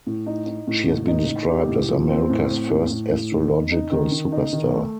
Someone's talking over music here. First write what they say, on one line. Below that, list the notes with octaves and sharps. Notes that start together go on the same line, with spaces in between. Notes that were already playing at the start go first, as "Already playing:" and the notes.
She has been described as "America's first astrological superstar".
A2
D#4
D#4
A2
A2
D#4
D#4
G4
A2
F3
C4
A2
C4
A2
A2
A2
D#3
D#4
D#4
D#3
D#3
D#4
D#3
A3